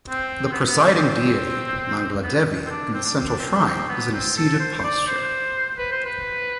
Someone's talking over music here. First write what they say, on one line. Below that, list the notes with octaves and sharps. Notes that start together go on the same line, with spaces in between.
The presiding deity, Mangaladevi in the central shrine is in a seated posture.
C4
C4
B3
B3
C4
B3
C4
B3
C4
D4
C4
D4
C4
D4
C4
C4
B3
C4
A4
C5
C5
D5
C5
B4
C5
B4